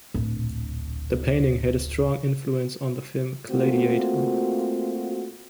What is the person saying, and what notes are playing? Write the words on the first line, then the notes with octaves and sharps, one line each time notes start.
The painting had a strong influence on the film "Gladiator".
D1 A#1
A3 A#3 C4 F4 F#4